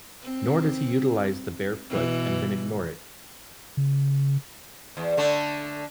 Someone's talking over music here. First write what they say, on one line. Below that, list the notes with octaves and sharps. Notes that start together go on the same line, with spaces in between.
Nor does he utilize the bare foot and then ignore it.
C4
B2 E3
C#3
E2
D3 A3